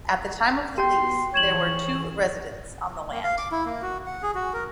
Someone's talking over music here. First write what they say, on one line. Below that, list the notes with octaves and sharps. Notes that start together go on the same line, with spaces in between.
At the time of the lease there were two residents on the land.
B3 F#4 G4 G5 C6
E3 G#4 C#5 G#6 E7 F#7
A#3
F5
D6
E4
A#3
F#4
F#5
G#4
F#4
A#4